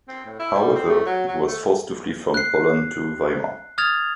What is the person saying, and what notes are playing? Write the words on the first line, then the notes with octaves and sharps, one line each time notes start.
However, he was forced to flee from Poland to Weimar.
C4
A2
E4
G3
C4
A3
F#3
F#3
A3
F#6 C7
D#6 F6 G#6 A6 F7